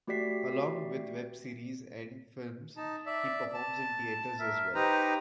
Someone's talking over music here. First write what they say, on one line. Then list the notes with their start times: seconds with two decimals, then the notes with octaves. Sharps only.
Along with web series and films he performs in theaters as well.
0.07 A3 F#4 G4 D5 B6 C7
2.77 D#4 A5
3.06 D5 E5
3.54 A5
4.39 A#4 E5
4.75 D#4 G4 B4 C5 A#5